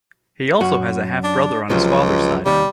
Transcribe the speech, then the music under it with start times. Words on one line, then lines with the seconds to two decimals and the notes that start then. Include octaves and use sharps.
He also has a half brother on his father's side.
0.61 F#2 F#4
1.24 D4
1.70 C#2 C3 F3 F#3
2.46 D#2 C3 G3